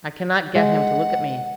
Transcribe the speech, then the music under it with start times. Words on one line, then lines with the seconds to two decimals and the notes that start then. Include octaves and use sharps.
"I cannot get him to look at me."
0.55 G#3 F#5